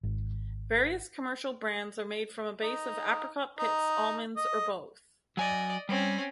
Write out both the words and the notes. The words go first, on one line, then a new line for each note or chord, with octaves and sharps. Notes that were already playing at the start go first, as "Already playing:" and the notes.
Various commercial brands are made from a base of apricot pits, almonds, or both.
G#1
D#4
D#4
D#5
F#3 D5 D#5 G#5
G3 C4 C#4